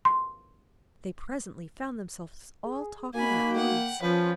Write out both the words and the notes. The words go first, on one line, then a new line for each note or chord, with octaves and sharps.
They presently found themselves all talking at once.
C6
G#4
A#3 D#4 F#4 G#5 B5
F#5 G5
F3 C#4 F4 B4